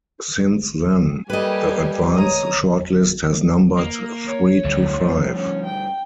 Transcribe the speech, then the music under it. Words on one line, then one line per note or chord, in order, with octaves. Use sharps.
Since then, the advance shortlist has numbered three to five.
G3 A#3 G4 A4 B4 D#5 G#5
C#5 A#5 D#6
A#3
C#5
D2 G2 G3 A3
F3
C#4
G5